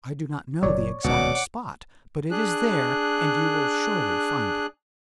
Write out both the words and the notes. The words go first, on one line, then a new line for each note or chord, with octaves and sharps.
I do not know the exact spot, but it is there, and you will surely find it.
F#1 A#2 F#3 C#5 D5
D#1 C#2 B2 F#5 D6
D4 G#4 F#6